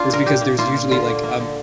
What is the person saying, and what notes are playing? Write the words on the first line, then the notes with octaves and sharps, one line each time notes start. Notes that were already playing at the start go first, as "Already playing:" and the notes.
It's because there's usually, like, um
Already playing: A#3 D4 F4
A#2 A#4
A#2 G4
A#3
A#3 F4
A#2
D3 F4
A#3
A#3
D3